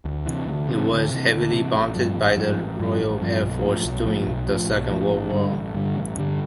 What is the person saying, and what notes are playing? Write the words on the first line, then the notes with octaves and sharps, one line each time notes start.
It was heavily bombed by the Royal Air Force during the Second World War.
D2
C3 E3
D2
C3 E3
D2
C3 E3
D2
C3 E3
A1
G2 F3
A1
G2 F3
A1
G2 F3
A1
G2 F3
B1
A2 F3
B1
A2 F3
B1
A2 F3
B1
A2 F3
A1
G2 D3 G3
A1
G2 D3 G3
A1
G2 D3 G3